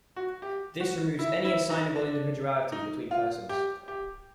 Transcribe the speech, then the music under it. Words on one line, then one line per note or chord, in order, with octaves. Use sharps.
This removes any assignable individuality between persons.
F#4
G4
F#4
E4
E4
D#4
D4
D#4
F4
G4
G4